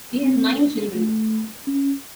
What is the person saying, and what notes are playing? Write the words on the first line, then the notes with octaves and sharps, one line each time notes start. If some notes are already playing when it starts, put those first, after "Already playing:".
He has nine children.
C4
A3
C#4